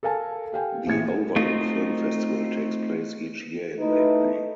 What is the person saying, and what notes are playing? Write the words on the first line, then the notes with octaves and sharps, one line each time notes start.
The Overlook Film Festival takes place each year in late May.
A4 A#4 F5 G#5 A5
G4 F5 G5 G#5
A#1 A2 E3 G#4 G#6 C#7
A3 C4 D#4 F4
A3 D#4 E4 B4